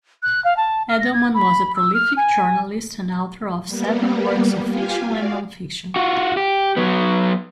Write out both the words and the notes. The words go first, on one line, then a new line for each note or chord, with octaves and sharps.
Edelman was a prolific journalist and author of several works of fiction and non-fiction.
F#6
F5
A5
F6
A#6
G#6
B5
E6
F6
G#5
G3 A#3 B3
F4 G4 F5 G#5
F#4 D5 F5
F4 F#4
G4
F#3 B3